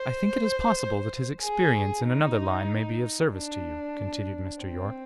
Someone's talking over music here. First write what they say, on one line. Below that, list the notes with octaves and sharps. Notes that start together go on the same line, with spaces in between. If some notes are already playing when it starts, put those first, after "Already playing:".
"I think it is possible that his experience in another line may be of service to you," continued Mr. Yorke.
Already playing: C5
G#4
D#4
D4
C4